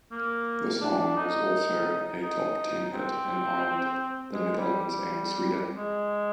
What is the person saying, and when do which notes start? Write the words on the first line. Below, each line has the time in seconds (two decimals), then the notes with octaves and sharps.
The song was also a top ten hit in Ireland, the Netherlands and Sweden.
0.11 A#3
0.81 D4
1.16 D#4
2.22 D#4
2.93 C4
4.33 G#3
4.58 G3
4.81 G3
5.74 G#3